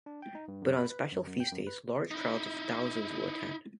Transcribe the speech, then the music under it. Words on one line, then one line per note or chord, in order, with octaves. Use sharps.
But on special feast days, large crowds of thousands will attend.
D4
G5
D#4
G2
F#2
B5
B4
F#2
F#2
G5
F#2
B4
D#4 E4